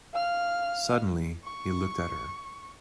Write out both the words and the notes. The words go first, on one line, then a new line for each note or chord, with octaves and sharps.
Suddenly he looked at her.
F5 F6
C#6